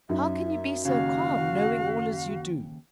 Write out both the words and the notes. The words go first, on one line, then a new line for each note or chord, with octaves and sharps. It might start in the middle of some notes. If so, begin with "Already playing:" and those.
"How can you be so calm, knowing all as you do?"
F#2 F#3 D#4 E5
D#2 C#3 F#4 F5